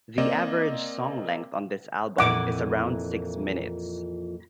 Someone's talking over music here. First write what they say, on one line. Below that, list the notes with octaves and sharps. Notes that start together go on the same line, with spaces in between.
The average song length on this album is around six minutes.
A#3 C4 D5 D#5
F2 A#2 E3 F#5 D6